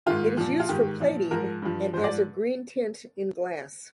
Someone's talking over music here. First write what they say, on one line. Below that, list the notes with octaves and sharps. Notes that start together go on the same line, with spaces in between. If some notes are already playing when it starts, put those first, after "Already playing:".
It is used for plating and as a green tint in glass.
G#2 D#3 F4
A#2 F3
F4
G#2 D#3 G4
A#2 F3
G#2 F3 A#4
G2 F3
G#2 F3 C5
D5